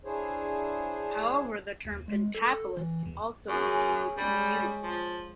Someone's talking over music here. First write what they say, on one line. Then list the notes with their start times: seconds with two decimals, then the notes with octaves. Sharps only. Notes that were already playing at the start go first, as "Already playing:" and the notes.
However, the term "Pentapolis" also continued to be used.
0.05 D4 E4 G#4 C5 C#5
1.85 D#2
2.08 G#3
2.35 A4
2.77 E3
3.06 E2
3.49 F#2 C#4 G#4
4.18 G3 G#3 C#4
4.83 F3